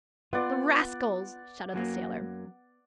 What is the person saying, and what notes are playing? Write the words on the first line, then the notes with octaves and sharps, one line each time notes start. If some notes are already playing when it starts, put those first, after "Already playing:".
"The rascals!" shouted the sailor.
B3 F4 D5 F#5
F#2 F#3 A#3